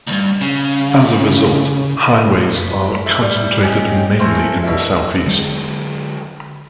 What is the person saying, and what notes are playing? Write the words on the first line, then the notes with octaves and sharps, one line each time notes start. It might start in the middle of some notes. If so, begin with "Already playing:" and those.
As a result, highways are concentrated mainly in the southeast.
D2 G2
C#3
B4
E5
G3
C#4 D#4 G4
A3 C4 A#4 G#5
B2 D4 E5
D3 F#3 G#3